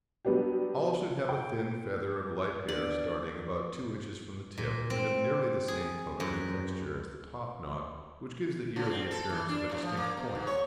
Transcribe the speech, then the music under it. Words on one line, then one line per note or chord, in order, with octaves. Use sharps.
All should have a thin feather of light hair starting about two inches from the tip, and of nearly the same colour and texture as the topknot, which gives the ear the appearance of a distinct point.
F#3 G3 B3 D4 G4
G5
B3 D4 D5
A#2
C4
G#4
F#2
C#3
C4
A4
E3
D4
A2
F3
A#3
B2
G#2
C#5